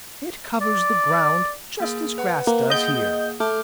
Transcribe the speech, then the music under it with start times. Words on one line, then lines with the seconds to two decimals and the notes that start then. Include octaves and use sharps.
It covers the ground just as grass does here.
0.61 D5
1.80 A#3 G#4
2.18 B4 F#5
2.47 A#3
2.70 A#3 G#4 D#5 F#5 G6
3.40 A3 D6 F6 G6